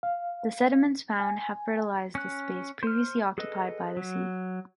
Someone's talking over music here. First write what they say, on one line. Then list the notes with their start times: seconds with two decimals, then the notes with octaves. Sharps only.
The sediments found have fertilized this space previously occupied by the sea.
0.03 F5
1.20 G#5
2.15 C#4 F#6
2.83 C5 F6
3.38 G#4 A4 B4 D#5
3.97 F#3